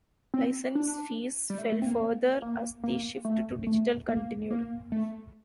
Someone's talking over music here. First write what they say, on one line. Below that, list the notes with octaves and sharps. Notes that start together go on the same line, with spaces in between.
Licence fees fell further as the shift to digital continued.
C4
D4
G3
A3
A3
C4
A#3
A#3
A#3
A3
A3
A#3
A#3
A3